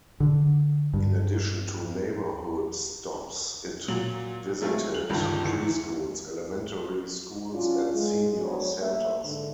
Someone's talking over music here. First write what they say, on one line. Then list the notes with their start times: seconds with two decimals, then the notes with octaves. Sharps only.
In addition to neighborhood stops, it visited preschools, elementary schools and senior centers.
0.20 D3
0.94 G2
3.88 A#2 F#3 F#7
4.61 F#3 G#3 A3 C4 F4 G#4
4.94 F#7
5.09 G1 C#2 G2 D#3
5.45 E2 G#4 C#7
5.63 E3
7.53 C3 F#3 C#4 D4 F4
7.95 G#3
8.41 B3 D4 F#4 G#4 C5 C#5
8.80 A3 A#3 E5
9.23 G#2 D3